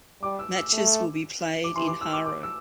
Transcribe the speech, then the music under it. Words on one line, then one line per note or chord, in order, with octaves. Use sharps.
Matches will be played in Haro.
G3 D6
E6
E6
A3
D6
E3 C6
D6
E6
D6
D6
E6